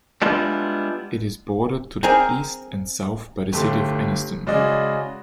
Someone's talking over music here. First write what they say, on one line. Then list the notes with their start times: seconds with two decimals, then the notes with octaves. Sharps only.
It is bordered to the east and south by the city of Anniston.
0.22 G3 G#3 B3 D4 E4 F4
2.03 C4 G#4 A#4
3.53 G1 A3 G4 C6
4.47 C#3 G#3 F#4 D5 D#5